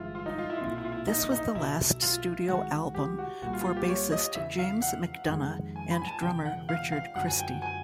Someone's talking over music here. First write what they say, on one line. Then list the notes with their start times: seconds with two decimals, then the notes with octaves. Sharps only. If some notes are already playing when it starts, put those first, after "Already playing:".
This was the last studio album for bassist James MacDonough and drummer Richard Christy.
Already playing: G1 G2 E3 G#3 E4 F4
0.15 F4
0.26 D#4
0.38 F4
0.50 E4
0.57 F4
0.61 B1 A#2 G3 C4 E4
0.71 F4
0.78 E4
0.85 F4
0.92 E4
1.08 D#4
1.32 D#4
1.55 B1 B2 F#3 E4
2.02 F4
2.48 C2 C3 D#3 G#3 F#4
2.94 G4
3.18 F#4
3.42 C2 A#2 G3 F#4
3.53 F4
3.65 F4
3.77 G4
3.89 C#5
4.12 D#5
4.35 E2 C#3 E3 E5
4.59 F5
4.82 F#5
5.28 F2 C3 D#3 G#3
5.76 G#5
5.91 B5
6.02 G#5
6.07 A5
6.22 E1 E2 C#3 G5
6.45 F#5
6.69 F5
6.92 F5
7.15 F#2 D3 F#3 F#5
7.28 G#5
7.39 G5
7.62 G#5